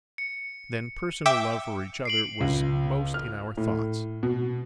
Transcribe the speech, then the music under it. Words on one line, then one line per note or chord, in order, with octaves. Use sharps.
Then personal love for each other was most in our thoughts.
C#7
E5 G5 D6
C7 D7 F#7
C#2
F6
A2
B2